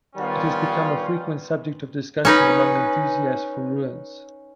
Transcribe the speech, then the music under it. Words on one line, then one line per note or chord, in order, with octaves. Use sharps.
It has become a frequent subject of discussion among enthusiasts for ruins.
D#3 G3 B3 C#4 F4
C#4 D#4 B4